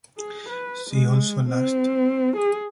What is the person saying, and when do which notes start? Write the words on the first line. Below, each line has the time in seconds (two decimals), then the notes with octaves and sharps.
See also Lust.
0.18 G#4
0.49 B4
0.91 G#3
1.49 C4
2.37 G#4